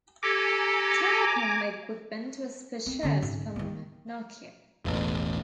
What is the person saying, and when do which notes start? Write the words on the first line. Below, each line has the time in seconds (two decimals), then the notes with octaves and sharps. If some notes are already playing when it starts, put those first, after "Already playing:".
Telecom equipment was purchased from Nokia.
0.23 G4 A4 G#5 A#5 D6
2.86 C4
3.03 D3 C#4
3.22 C2 G#2
3.56 D#3 A#3
4.85 E1 A1